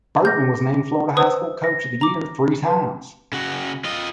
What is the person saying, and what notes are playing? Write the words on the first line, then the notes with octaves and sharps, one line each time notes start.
Bertman was named Florida High School Coach of the Year three times.
G#4 D6 G6 A#6
B4 C5 D#6 E6
A#6
A#5 D6
B4 A5 C6
C#3 F#4
F4 D#5